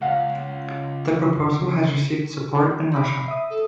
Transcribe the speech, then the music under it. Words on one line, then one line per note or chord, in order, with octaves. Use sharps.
The proposal has received support in Russia.
C#2 F5 F#5
D#4 B5 D6
C7
E5 D#6
A4